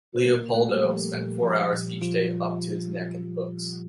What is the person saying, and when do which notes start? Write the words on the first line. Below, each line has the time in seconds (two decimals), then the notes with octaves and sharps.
Leopoldo spent four hours each day 'up to his neck in books'.
0.16 C5
0.25 A#2 A#3 A#4
0.54 A#2 A3 A4
0.69 G3 G4
0.85 F3
1.13 A#2
1.43 F3
1.73 A#2
2.02 F3 F4